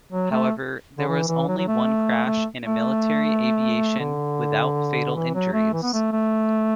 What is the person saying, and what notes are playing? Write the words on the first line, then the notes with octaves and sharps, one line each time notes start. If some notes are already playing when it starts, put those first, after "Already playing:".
However, there was only one crash in a military aviation, without fatal injuries.
F#3
A3
D3
E3
E3
F#3
F#3
A3
A3
A3
D3
E3
F#3
A3
E3
B3
A3
A3